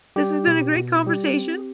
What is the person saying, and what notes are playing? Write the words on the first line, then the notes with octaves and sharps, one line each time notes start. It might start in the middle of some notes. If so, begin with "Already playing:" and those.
this has been a great conversation.
G3 G4
B2
B2
G3 G4
C4